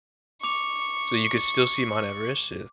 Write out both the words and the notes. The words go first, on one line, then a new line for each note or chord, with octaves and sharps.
so, you could still see Mount Everest, yeah.
C#6 D6 F7